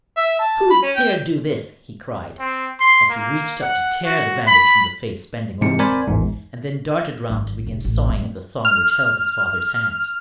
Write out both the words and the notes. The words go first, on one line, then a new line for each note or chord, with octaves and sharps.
"Who dared do this?" he cried, as he reached up to tear the bandage from the face bending over him, and then darted round to begin sawing at the thong which held his father's hands.
E5
A5
B5
C#4
G5
C4
C6
A#3
F#5
F#4
B5
G#2 C3 E3 G#3 D#4 C#7
C4 A#4 C5 D5 G#5 B5
A1 E2 G#2
G#1
F1
A1
A2
F6